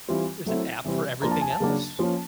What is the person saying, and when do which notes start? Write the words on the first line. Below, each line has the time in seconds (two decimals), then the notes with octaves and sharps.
Th there's an app for everything else.
0.08 E3 G3 C4 F4
0.46 F#3 A3 C4 E4
0.84 C3 E3 G3 C4
1.22 F3 A#3 D4 F4 A#5
1.31 A5
1.41 G#5
1.50 A5
1.60 C#3 F#3 A#3 D4
1.99 F3 A#3 C#4 F4